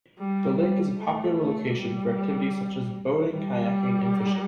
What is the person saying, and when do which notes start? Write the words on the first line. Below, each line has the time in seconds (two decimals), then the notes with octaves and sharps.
The lake is a popular location for activities such as boating kayaking and fishing.
0.19 G3
0.59 G3
0.98 A3
1.38 A3
1.77 G3
3.35 G3